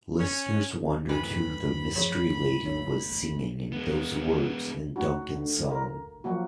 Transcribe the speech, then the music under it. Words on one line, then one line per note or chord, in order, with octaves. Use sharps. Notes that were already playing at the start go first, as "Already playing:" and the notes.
Listeners wondered who the mystery lady was singing those words in Duncan's song.
C#4
F#2 C3 E3 A3 B4 B5
F3 G#4 C#5
G1 A3 C#5
G#3 B3
A3 D#4 F#4
D3
A#4
F3 F#3 A#3 F#4